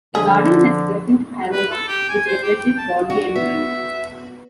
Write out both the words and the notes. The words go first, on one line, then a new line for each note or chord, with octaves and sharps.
The garden has pleasant aroma, which refreshes body and mind.
D3 F3 G#4
B4
A4
G4
G#5
C5
G4
G5
A5
D4 F#4
B3 E5